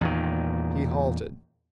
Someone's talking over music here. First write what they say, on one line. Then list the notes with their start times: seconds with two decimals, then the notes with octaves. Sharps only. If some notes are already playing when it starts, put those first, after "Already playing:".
He halted.
0.01 E2 A#2 D#3